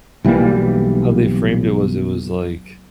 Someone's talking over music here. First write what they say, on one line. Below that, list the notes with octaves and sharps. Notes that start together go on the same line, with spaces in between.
how they framed it was it was like,
B1 E3 G3 A#3